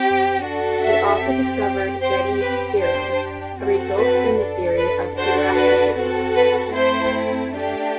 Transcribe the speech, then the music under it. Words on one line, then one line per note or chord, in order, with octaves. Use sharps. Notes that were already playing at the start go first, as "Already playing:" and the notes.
He also discovered Betti's theorem, a result in the theory of elasticity.
Already playing: C4 G4
D4 F#4 A4
E5
C4 G4
C4 G4 C5
B4
D4 G4 C5
C4 F#4 A4
B4
D4 A4
B4
D4 F#4 A4 C5
B4
C4 F#4 A4
B4
A3 C4 E4 C5
A3 D4 G4